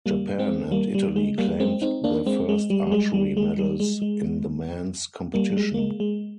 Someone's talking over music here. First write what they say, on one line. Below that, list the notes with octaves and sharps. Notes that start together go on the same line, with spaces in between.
Japan and Italy claimed their first archery medals in the men's competition.
G3 A#3
G#3 C4
G3 A#3
G3
G#3
G3 A#3
G#3 C4
C4 D#4
A#3 D4
G#3 C4
G#3
G3
G3
G#3
G3
G#3
G3
G#3
G#3
G3 A#3
G3
G#3
A#3
G#3
G#3